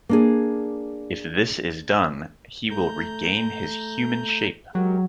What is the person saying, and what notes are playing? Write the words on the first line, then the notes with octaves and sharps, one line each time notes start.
If this is done, he will regain his human shape.
A#3 D4 G#4
A3 A#5 G6
F#3 G#3 G4 A#4